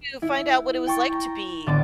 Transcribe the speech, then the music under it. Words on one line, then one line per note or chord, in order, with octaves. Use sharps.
to find out what it was like to be
E4
G5 A5 C#6
A#5
A1 D3 B3 A5 D6